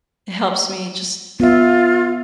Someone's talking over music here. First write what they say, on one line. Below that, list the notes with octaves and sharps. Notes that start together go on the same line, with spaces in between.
it helps me just,
B3 F4 E5